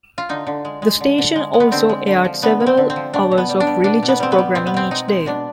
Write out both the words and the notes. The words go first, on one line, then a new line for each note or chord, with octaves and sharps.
The station also aired several hours of religious programming each day.
F4
D3 D#4
D3
G#3
G#3
D3
D3
G#3
G#3
B3
D3 C4
G#3
D3
F3
D3 B3
G#3
C4
D3
C4
F3
B2 D4
B2
B3
G3
D4
G3
B2 D4
B2
B3
G3 C4
B3
G3
B2 C4
B3
B2 C4
G#3 D#4
G#3
B2 D4